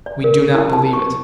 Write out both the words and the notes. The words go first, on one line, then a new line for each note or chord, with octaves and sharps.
We do not believe it.
D5
A#4
E4
A5
C#6